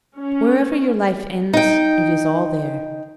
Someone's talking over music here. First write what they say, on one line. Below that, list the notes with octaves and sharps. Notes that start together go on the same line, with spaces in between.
Wherever your life ends, it is all there.
C#4
D#4 G5